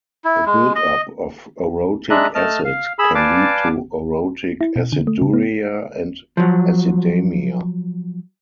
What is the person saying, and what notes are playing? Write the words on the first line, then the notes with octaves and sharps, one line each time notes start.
A buildup of orotic acid can lead to orotic aciduria and acidemia.
E4
G#3
D#5
G#3 D4 E5 A#5 F#6
A3 D#5 A5 F6
F5
G#4 B5 E6
B4 D5 F5 G#5 A5 D6
E4
B2
D3
A3
C#3
B3
F3 F#3